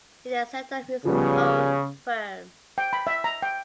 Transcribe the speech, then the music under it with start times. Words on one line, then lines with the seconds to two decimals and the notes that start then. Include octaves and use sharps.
He then set up his own firm.
1.05 C#3 F3 G3 B3
2.78 G5
2.93 B5
3.07 E5
3.24 A#5
3.42 G5